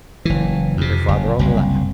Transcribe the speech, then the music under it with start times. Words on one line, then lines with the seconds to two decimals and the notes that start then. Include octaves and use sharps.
Her father only laughed.
0.25 F#1 E3
0.77 F2 C3
1.08 F#1
1.39 F#1 C2